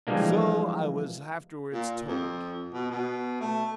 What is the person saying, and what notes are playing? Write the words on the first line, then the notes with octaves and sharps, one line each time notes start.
So I was afterwards told.
E3 F3 G3 G#3 A#3 D4
A#2
F2
B2
B2
A3